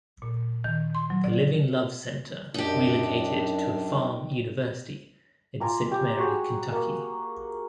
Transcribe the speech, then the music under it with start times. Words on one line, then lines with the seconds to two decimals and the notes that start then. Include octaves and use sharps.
The Living Love Center relocated to a farm-university in Saint Mary, Kentucky.
0.22 A#2
0.64 D#3
0.95 C6
1.10 F#3
1.24 D5
2.54 F#2 D4 D#4 G4
5.60 F4 G#5 A#5 D6
5.91 G4 G#5
6.19 F#4 G#4
6.71 A#3 D#6